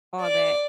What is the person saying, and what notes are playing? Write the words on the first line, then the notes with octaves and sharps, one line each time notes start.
All that.
D5